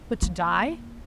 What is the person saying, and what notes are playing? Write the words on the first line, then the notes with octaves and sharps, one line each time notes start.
But to die?
A#3